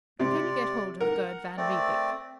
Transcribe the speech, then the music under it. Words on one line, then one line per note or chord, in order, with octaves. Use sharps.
And can you get hold of Gerd van Riebeek?
C3 D5
A#4 F#5
A3 C4 D5